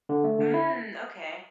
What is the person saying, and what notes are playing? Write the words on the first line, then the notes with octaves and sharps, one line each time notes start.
Mm, okay.
D3
A3
D3
E4